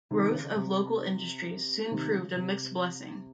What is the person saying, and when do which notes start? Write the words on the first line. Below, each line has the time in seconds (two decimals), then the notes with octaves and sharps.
Growth of local industries soon proved a mixed blessing.
0.11 C3 D#3
0.34 C#3
0.56 C3
1.91 C3 D#3
2.13 C#3
2.36 C3